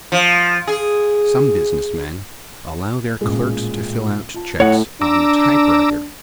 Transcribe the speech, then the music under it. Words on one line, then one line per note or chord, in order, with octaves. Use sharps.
Some business men allow their clerks to fill out checks on the typewriter.
F3
G#4
A1 A#2 G#3
F4 A5
A2 C#5 F#5
D4 A#5 D6 E6